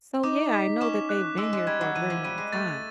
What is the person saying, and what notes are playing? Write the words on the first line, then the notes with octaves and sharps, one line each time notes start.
So, yeah, I know that they've been here for a very long time,
D#4 D6
B6
C#4 E7
F#6
G#3 E6
G#3
G3 G#6
F#3
E3 D#7
F3
G3 D#7
G#3
A3 A6